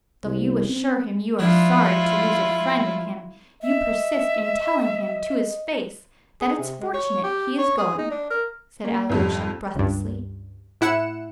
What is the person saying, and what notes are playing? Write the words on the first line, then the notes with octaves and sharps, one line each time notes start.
"Though you assure him you are sorry to lose a friend in him, you persist in telling him to his face that it's fortunate he is going," said Alyosha breathlessly.
C2
C4
F3 G#3 D4 E4 F4
D#5 E5
G#4
C3
G#3
C#5
G4
C#5
G#4
D#4
D4
A#4
A#3
G#1 F2 G3
C#2 G2
A2 E4 F#5 C#7 E7